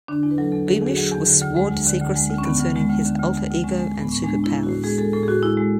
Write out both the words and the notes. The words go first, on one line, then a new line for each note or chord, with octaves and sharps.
Beamish was sworn to secrecy concerning his alter-ego and super-powers.
D3 D4
E2 E4
B4
F#3 A4
E2 A4
D3 A4
G#4
E2 F#4
F#3 G#4
E2
D3
D2
G#3
D2
D3
D2
G#3
D2
C#4
D3 B3
D2
G#3
D2
D3
D2
G#3
D2
G#3 C#4
G#3
A2
B3
A2 C#4
G#3 D4
G#3 E4
A2
F#4
A2
G#3 G#4
G#3 A4
A2 A4
G#4
A2 F#4
G#3 E4
G#3